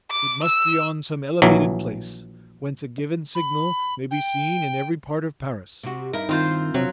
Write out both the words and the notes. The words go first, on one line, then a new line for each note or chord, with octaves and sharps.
"It must be on some elevated place, whence a given signal may be seen in every part of Paris."
D6
E6
A#1 E3 F#3
B5
G5
C3 F#4
G2 D#4 E4 A#4
D#3 C4 F4 C5
F2 C3 F#3